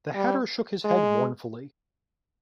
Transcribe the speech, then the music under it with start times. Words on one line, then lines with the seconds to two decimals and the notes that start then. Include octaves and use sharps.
The Hatter shook his head mournfully.
0.15 G3
0.85 G#3